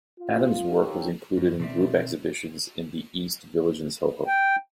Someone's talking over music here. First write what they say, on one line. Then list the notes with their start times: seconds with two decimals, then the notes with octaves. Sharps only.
Adams' work was included in group exhibitions in the East Village and SoHo.
0.20 F4
0.80 D#2
1.37 F#2
1.60 B2 D#3 C4 D5 E5
4.27 G5